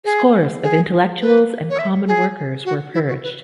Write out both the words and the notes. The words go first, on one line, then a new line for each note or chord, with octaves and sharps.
Scores of intellectuals and common workers were purged.
G#4
G#4
B4
C#5
E5
G#4
F#4
E4
F#4
B4